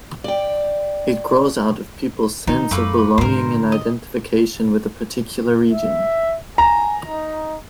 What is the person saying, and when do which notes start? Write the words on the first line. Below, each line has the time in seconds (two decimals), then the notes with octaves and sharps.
It grows out of people's sense of belonging and identification with a particular region.
0.24 D5 G5
2.47 D#3 D#4
2.71 F#2 A3 A#3 B4
3.18 G#2 D3 A#4 C5
3.72 D#5
5.72 E5
6.58 G#5 A#5
7.08 D#4